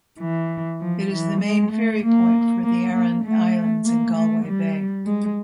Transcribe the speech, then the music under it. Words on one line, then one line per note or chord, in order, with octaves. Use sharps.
It is the main ferry port for the Aran Islands in Galway Bay.
E3
F3
E3
G#3
A3
A#3
A#3
A#3
A3
A#3
A3
G3
G#3